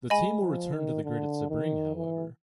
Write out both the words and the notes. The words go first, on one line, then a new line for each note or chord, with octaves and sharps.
The team will return to the grid at Sebring however.
G#3 D#5 G#5 B5
F3
D#3
D3
D#3
E3